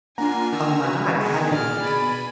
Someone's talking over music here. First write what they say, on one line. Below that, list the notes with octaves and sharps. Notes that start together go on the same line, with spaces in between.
"Oh my god. I haven't"
A#3 D4 F4 F#5 G#5 A#5
D#3 A#5 E6
F#4 B4
B3 G#4 D#5 G#5
A#2 D5 F6
B2 B5 G#6 A6 D7 D#7